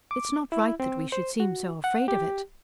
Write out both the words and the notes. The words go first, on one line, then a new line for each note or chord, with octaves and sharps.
It's not right that we should seem so afraid of it.
D6
E4
C4
C5
F#4
F#5
G4